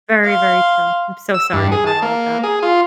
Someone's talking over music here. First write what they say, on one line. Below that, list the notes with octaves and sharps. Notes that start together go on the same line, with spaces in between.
Very, very true. I'm so sorry about all of that.
F5 C6
E6
G2
G#4
A5
A#3
G#4
F4